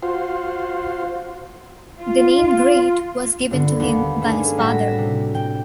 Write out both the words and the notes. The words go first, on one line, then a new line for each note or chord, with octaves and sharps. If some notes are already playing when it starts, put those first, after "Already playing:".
The name ‘Great’ was given to him by his father.
F4 F#4 C5
F4
G2 D3
D#2 B3
A3 A#3 C#4 D4 G#4
A2 G3 F#4 A#6 B6 E7
C3
G5